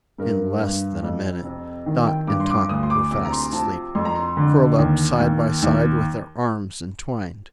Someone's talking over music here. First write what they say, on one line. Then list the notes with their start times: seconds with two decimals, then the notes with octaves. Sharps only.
In less than a minute Dot and Tot were fast asleep, curled up side by side, with their arms entwined.
0.18 G2 A#4
0.61 G2
1.03 F2
1.44 C3
1.86 D#3
2.07 G5
2.27 G2 D6
2.40 C6
2.49 D6
2.69 D2 D#6
2.83 C6
2.90 D6
3.11 C3 D6
3.25 A#5
3.32 C6
3.53 F3 A5
3.95 F2 C6
4.05 A#5
4.15 C6
4.37 D3
4.78 D#2
5.20 D#2
5.62 D#2